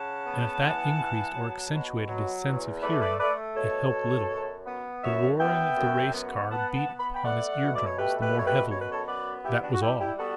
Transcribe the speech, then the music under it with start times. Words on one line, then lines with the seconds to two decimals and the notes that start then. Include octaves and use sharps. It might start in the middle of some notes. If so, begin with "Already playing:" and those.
And if that increased or accentuated his sense of hearing, it helped little--the roar of the racing car beat upon his eardrums the more heavily, that was all.
Already playing: C#3 F#5 A5
0.25 B3
0.61 E3
0.99 B3
1.36 F#3
1.72 B2
2.09 F#3
2.46 E2
2.83 A3 B4 D5
3.01 B4 D5
3.19 A3 B4 D5
3.56 B2 A4 C#5
3.93 B2
4.30 F#2
4.67 B3
5.03 F#2 C#5 E5
5.40 B3 E5 G5
5.77 F#2
6.14 B3
6.50 B3 F#5 A5
6.75 F#5 A5
6.87 B3
7.00 B5
7.15 G5 B5
7.24 A3 D5 F#5
7.61 B2
7.76 D5
7.86 C#5
7.98 A3 G4 B4
8.22 G4 B4
8.34 B2 C#5
8.47 G4 B4
8.71 F#2 C#5
8.81 B4
8.92 A4 C#5
9.08 B3 B4 D5
9.45 G3 E4 G4
9.63 D4 F#4
9.73 F#4
9.81 G3 E4 G4
10.00 E4 G4
10.18 B3 F#4 A4